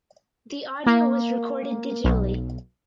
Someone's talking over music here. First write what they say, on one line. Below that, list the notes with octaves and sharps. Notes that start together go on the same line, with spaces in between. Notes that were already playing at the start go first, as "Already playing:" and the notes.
The audio was recorded digitally.
A#3
B1